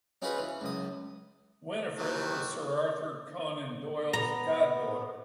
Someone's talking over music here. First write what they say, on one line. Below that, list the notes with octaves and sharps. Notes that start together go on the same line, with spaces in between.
Winnifrith was Sir Arthur Conan Doyle's god-daughter.
C#4 D#4 F4 F#4 G#4 B4
E3
C#2 F#2 D#6
D#2 D#3 E3 F#3
A#2 B3 A#5